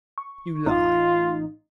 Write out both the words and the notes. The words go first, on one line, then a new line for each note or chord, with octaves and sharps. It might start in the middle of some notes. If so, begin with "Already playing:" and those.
"You lie!"
C#6
A1 A2 D#4 F4